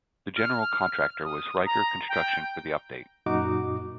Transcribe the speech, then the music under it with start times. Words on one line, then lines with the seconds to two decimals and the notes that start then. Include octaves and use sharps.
The General Contractor was Reicker Construction for the update.
0.36 F6
1.25 D#6
1.66 A#5
2.09 G5
3.26 F#2 A#2 D#4 F#4 D6